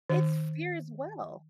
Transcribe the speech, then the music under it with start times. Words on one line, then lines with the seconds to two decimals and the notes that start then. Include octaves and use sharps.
It's fear as well.
0.10 D#3